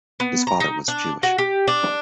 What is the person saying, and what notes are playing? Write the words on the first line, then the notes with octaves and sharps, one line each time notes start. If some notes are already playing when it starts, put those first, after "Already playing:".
His father was Jewish.
B3
A#5
D#4
D4
F#4
G4
D4